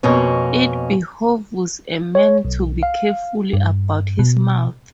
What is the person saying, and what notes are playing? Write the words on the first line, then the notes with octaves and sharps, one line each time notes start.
It behooves a man to be careful about his mouth.
F2 B2 A#3 C#4
C#5
B1
F5
G2
B2